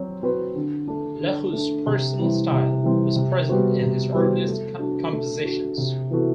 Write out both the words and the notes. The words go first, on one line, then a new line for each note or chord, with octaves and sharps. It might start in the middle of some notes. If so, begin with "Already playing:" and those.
Lekeu's personal style was present in his earliest compositions.
Already playing: F#3 C4 F#4
C4 F#4 B4
D3
A3 D4
D3
A3 D4
C3
E3 G3 C4
C3
E3 G3 C4
C3
G3 B3 F#4 C5
C3
G3 B3 F#4 C5
A3
D4 F#4
A3
D4 F#4
C3
E3 B3 F#4 A4